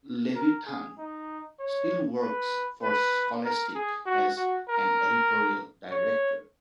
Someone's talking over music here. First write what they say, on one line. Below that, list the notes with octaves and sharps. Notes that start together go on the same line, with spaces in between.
Levithan still works for Scholastic as an editorial director.
A#4
G#4
D#4
C#5
B4
B4
A#4
G#4
F#4
F#4
A#4
C#5